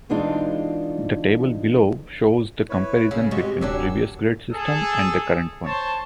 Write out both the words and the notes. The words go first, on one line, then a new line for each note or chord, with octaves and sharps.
The table below shows the comparison between previous grade system and the current one.
B2 E3 G#3 D4 D#4 F4
E4 B4 C#5
C#3 E6
C3 G#3 F#4 D#5 C#6
D1 F#2 F#3 D4 G4 E6
G#4 A4
C5 C#5 A5